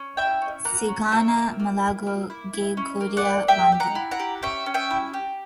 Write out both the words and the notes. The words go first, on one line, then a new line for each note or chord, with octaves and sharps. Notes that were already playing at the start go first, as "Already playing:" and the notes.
Sighana malagho ghe ghoria w'andu.
Already playing: C#4
E4 E5 G5
C#4
A#3 F#5 A#5
C#4
C#4 E5 G5
A#3
A#3
E4
A#3
E4
E4
C#4
A#3
D5 F#5
A#3
G4 E5 G5
G4
F#5 A#5
E4
F#5 A#5
G4
C#4 E5 G5
C#4
E5 G5
E4
G4